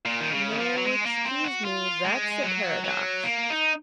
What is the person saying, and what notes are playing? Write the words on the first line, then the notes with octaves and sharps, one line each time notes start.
"No, excuse me, that's a paradox."
A#2
D#3
C#3
D#3
F3
F#3
G#3
A#3
C4
F#4
F4
G#3
F#3
F#3
A#3
D#4